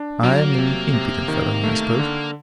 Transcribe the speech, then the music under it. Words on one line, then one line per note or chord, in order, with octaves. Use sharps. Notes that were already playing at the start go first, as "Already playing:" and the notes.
I am an impudent fellow, I suppose.
Already playing: D4
F#3 A#3
C3
C3
D#3
A3
D3